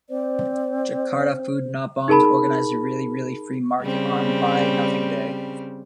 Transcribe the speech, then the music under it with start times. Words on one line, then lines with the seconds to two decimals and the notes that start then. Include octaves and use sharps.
Jakarta Food Not Bombs organized a Really Really Free Market on Buy Nothing Day.
0.10 C4 C5 D5
2.08 D#4 G#4 A#4 A5 B5
3.81 C#3 G3 C4